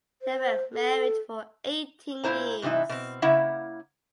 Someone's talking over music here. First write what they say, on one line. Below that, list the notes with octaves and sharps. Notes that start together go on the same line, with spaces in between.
They were married for eighteen years.
C5
A4
A#2 G3 E4 C5 A#5
G#2 C3 E3 D#4 E4
B2 C4
C#3 A#3 E4 E5 F#5